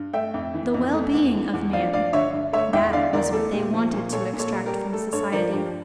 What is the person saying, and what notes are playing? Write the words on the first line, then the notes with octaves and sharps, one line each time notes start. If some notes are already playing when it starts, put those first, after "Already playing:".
The well-being of man, that was what they wanted to extract from society.
Already playing: G2
A3 E5 G5
F2
E3
F2
A3
E2
E3
E2
F3 D5 F5
G2 D5 F5
D3 C#5 E5
G2
A3 C#5 E5
E2 E5 G5
D3 D5 F5
E2 A#4 D5
A3 A4
A#2 G4
F3
A#2
A#2 A4 C#5
A#2
A4 C#5
G3
G4 A#4
G3
A3 A4
G2 A4 C#5
F3 A#4 D5
G2 G4